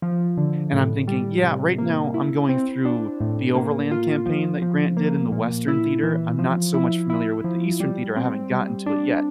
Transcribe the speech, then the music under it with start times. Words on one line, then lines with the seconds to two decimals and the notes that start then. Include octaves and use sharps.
and I'm thinking, "Yeah, right now I'm going through the Overland Campaign that Grant did in the Western Theater, I'm not so much familiar with the Eastern Theater, I haven't gotten to it yet."
0.02 F3
0.37 D3
0.73 A2
1.08 G3
1.43 C3
1.78 A#3
2.14 E4
2.49 C4
2.85 D4
3.20 A2
3.55 A#3
3.91 F4
4.26 F3
4.62 F3
4.97 A#3
5.32 A#2
5.68 E4
6.03 E3
6.39 F3
6.74 E4
7.10 E4
7.44 F3
7.80 G3
8.16 C4
8.51 G3
8.86 D4